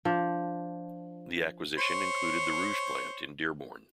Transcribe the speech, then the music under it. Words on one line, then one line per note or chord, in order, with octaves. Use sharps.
The acquisition included the Rouge Plant in Dearborn.
F3 D4
C5 C#5